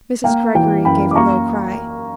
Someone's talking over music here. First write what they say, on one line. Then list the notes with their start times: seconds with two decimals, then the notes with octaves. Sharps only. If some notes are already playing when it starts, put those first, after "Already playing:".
Mrs. Greggory gave a low cry.
0.24 A#3 G5
0.55 E3 G5
0.85 F#2 G5 B5
1.11 D6
1.16 A#3 A#5 C#6